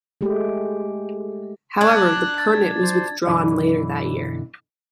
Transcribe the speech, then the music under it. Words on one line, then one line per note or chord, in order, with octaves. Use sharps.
However, the permit was withdrawn later that year.
G#3 A3 G4
D4 F#6 G#6
A6
C5
B1 F#2 D3 E3 D5